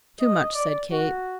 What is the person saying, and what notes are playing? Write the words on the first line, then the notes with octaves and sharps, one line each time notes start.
"Too much!" said Kate.
D#5
D5
F#4